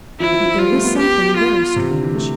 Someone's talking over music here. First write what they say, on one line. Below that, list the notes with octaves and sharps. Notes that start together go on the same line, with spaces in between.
But there is something very strange.
F3 E4
F3
F3
G3 F4
A3
B3
G4
F4
C3
D3
E3
A3